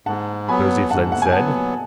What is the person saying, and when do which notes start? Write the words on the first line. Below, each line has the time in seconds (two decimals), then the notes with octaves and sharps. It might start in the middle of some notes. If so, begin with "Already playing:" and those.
Nosey Flynn said.
0.06 G#2 F#5 A5
0.48 F#3 B3 G#5 B5
0.90 G#2 F#5 A5
1.12 F#5
1.22 G#5
1.32 F#3 B3 F#5 A5